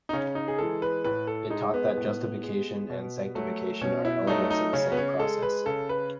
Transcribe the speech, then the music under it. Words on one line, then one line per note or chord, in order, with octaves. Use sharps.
It taught that justification and sanctification are elements of the same process.
D#4
C#3 C#4
D#4
G#4
E3 G#3 A4
B4
A2 B4
A4
G#3 D#4
B3
A2
G#3
B2
F#3 A3
B2 C#4
E4
F#3 A3 D#4
D#4
C#3 C#4
B3
C#4
G#3 A4
B4
C#3 A4
B4